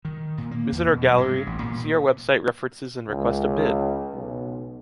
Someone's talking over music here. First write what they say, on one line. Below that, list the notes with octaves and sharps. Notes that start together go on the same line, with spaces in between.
Visit our gallery, see our website references and request a bid!
D#3
A#2
A#3
E2
B2
F#3
G2
A1
A#2
C#2
B1